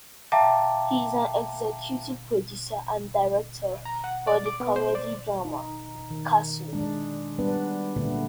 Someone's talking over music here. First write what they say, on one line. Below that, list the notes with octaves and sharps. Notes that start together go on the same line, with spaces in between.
He is an executive producer and director for the comedy-drama "Castle".
E5 F5 G5 A5 A#5 D6
A#5
F#5
D5
D6
B3
C5
D5
D#4
D#3
G#3 D4
G3 B3 D4 B4
A#2 D3 A3 B3